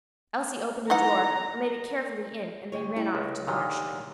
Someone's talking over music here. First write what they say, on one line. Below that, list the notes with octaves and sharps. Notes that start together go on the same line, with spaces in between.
Elsie opened a drawer and laid it carefully in, and they ran off to the nursery.
E3 D#4 F#5 A#5
D2 G3 C#5
G3 E4 G4
C#2
A#2 D3 D#3 G4 C#5 D#5